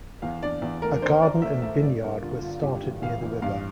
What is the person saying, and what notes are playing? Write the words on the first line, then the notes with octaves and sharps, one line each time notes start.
A garden and vinyard were started near the river.
E2 F5
D4 D5
E2
A3 A#4
D4 C5
D4 D5
A3 E5
A3 E5
G2 D5
G2 A#4
D3 F4
D3 F4
G2 G4
A1
A1 F5
A1
G2 F5